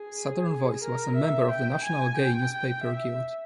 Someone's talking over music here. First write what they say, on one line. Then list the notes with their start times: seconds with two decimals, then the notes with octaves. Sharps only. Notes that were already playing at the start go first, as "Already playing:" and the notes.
"Southern Voice" was a member of the National Gay Newspaper Guild.
Already playing: G#4
0.83 A#4
1.16 E5
1.50 G5
1.84 G#5
2.18 G5
2.84 E5